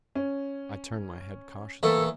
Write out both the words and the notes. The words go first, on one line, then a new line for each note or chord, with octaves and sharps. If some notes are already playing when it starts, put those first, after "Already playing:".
I turned my head cautiously.
C#4
E2 A3 A#3 A4